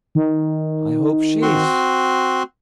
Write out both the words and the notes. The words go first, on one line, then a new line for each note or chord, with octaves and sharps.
"I hope she is."
D#3
C4 F#4 C6